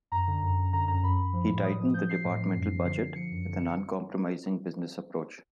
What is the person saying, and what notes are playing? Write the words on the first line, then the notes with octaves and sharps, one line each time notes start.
He tightened the departmental budget with an uncompromising business approach.
F#2 A#5
D3
F#2
F#2
D3 A#5
F#2 A#5
F#2 B5
F#2
F3
A2
A2 D#6
F3
F3 G6
F3 C7
A2
F3
F#2
F3
D3 C7
D3
F3 C#7
F#2
D3